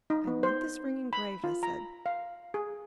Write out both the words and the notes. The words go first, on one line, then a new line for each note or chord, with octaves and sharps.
"I want this ring engraved," I said.
D#4
B3
C5
B5
F4
A#5
F5
G#4